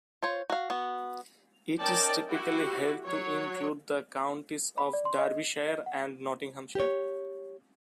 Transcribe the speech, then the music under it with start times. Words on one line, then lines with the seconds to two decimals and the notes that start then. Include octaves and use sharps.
It is typically held to include the counties of Derbyshire and Nottinghamshire.
0.23 F4 C5 C#5
0.50 F#4 F5
0.70 B3 F#4
1.79 C#4 D#4 A#4 D5 G5 A5
2.29 E4 F#4 G4
3.05 F#3 C#5
4.78 B5
4.93 D5
5.05 C6
5.18 D#5
5.44 F#7
5.68 D#5
5.86 F#5
6.75 G4 C#5